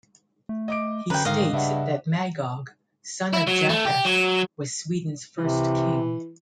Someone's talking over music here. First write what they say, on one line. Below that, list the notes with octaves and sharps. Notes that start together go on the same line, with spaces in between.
He states that Magog, son of Japheth, was Sweden's first king.
A3
D#5 D6 D7
F#2 D3 B4 G5 A#5 F#6
G#2 D#3 D#5 F5
G2 C#3 E5 F#5
E4
F#3
A3
G4
F#3
C3 E3